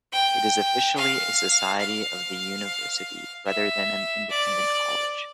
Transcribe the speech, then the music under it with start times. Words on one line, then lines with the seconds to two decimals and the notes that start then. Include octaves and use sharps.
It is officially a society of the university rather than an independent college.
0.13 G5
0.97 F5
1.81 F5
3.47 E5
4.30 D5